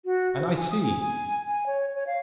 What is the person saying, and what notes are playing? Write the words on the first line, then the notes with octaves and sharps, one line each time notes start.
And I see.
F#4
C5
G#5
D#6
G#5
G#5
G#5
C#5
C#5
F5